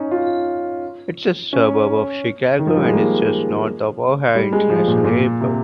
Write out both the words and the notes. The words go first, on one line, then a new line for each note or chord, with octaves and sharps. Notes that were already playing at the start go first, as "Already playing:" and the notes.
It is a suburb of Chicago and is just north of O'Hare International Airport.
Already playing: C#4 D#4
F4
C#4
D#3
F3
G3
G#3
A#3
G3
G#3
F3
A#2
A#2
C3